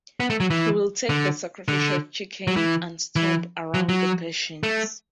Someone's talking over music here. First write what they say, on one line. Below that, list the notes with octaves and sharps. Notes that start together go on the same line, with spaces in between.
He will take the sacrificial chicken and stomp around the patient.
B3
A3
F#3
E3
D3
D3
F#3
E3
E3
F#3
F#3
A3